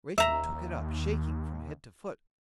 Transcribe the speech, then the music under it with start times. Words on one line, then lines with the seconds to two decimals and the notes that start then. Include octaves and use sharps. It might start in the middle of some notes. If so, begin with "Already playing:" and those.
Rachael took it up, shaking from head to foot.
0.18 D#2 E5 A#5